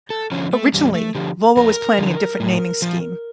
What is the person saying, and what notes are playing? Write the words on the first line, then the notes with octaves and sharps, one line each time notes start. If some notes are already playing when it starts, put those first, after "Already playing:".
Originally, Volvo was planning a different naming scheme.
A4
D3 F3 C#4
A3
E2 G3
A3
D3 F3 G4
F2 A#4
D3 F3
A2
F3